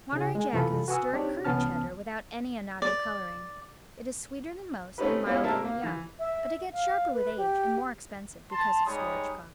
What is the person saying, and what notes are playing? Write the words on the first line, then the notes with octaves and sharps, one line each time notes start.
Monterey Jack is a stirred curd Cheddar without any annatto coloring. It is sweeter than most and milder when young, but it gets sharper with age and more expensive because of storage costs.
C#3 E4 G#4
G#3
F#2 C3 E3 F4 A4 B5
F#4 B4 G#5 C#6 D#6 E6
C4 D4 D#4 G4 C#5 D5
C2 E3 B3 C#4 A5 F6
D5
A3 C4 C#4 D#4 G4 B4
G3 A#3 B3 C#4 E4
A#2 G3 C4 A#4 E5 A5
A#3
E3
E5
F5
B4
G4
A5 C6
G3 G#3 D#4 C#5 B5 D#6